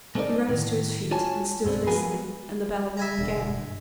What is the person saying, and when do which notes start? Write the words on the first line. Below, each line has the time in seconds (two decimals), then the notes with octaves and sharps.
He rose to his feet and stood listening and the bell rang again.
0.15 G#3 A3 C4 D#4 A#4 D5
0.49 A2 C3 D#3
1.11 F4 F#4 C#5 G#5 A5
1.65 B1 G2 B2 C4 D4
1.87 F3 B3 F#4 G#4 A#4 B4
2.97 E5 G#5 A#5
3.19 E1 D3
3.49 G2